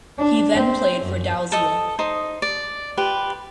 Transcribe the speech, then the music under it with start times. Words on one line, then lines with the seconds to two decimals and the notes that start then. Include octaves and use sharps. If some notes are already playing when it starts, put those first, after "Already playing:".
He then played for Dalziel.
0.18 D4
0.54 C4
1.02 F#2
1.52 A4 D#5 D#6
1.99 D#4 C5 D#6
2.42 D5
2.97 F4 G4 B4